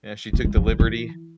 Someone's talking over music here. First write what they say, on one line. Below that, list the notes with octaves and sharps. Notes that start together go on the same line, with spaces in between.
Yeah, she took the liberty.
A#3
G#3
F#3
E3
E3